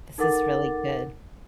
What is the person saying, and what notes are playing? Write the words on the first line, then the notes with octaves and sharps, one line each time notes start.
This is really good.
D#4 A4 A#4 F#5 D6 A6